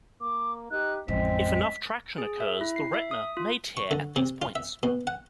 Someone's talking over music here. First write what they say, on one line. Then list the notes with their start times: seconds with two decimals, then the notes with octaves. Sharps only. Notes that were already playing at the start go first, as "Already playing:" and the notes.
If enough traction occurs the retina may tear at these points.
0.21 A#3 D6
0.71 D#4 G4 F#6
1.08 A1 F2 G#3 C4 B6
2.18 G#4
2.40 E5
2.61 E4
2.76 C7
2.94 E5
3.11 D#6
3.37 F4
3.77 C#6
3.91 D3
4.16 C3
4.42 F4
4.56 E5
4.83 B2
5.07 F#5